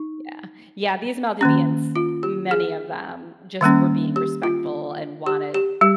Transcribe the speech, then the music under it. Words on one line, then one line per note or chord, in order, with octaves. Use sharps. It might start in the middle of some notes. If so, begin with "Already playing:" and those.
yeah. Yeah, these Maldivians, many of them, just were being respectful and wanted
Already playing: D#4
D#3 A#3 C#4
F4
G4
G#4
D#3 G3 A#3 C#4
G4
F4
G4
G4
G3 G4